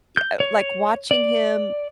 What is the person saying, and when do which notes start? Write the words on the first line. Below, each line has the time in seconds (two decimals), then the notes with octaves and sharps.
y uh, like watching him,
0.17 G6
0.40 C#5
1.11 D5